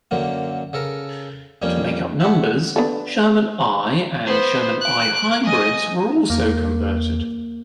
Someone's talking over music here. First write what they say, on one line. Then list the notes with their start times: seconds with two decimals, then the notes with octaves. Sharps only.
To make up numbers, Sherman I and Sherman I Hybrids were also converted.
0.11 F#2 D3 F#3 A#3
0.73 C#3 A4 A#4
1.62 F2 G3 A#3 C#4
2.20 E5 F#5
2.76 B3 D4 A4
4.26 B3 C5
4.81 F#6 D7
5.44 D#5 G#5
6.30 E2 A#3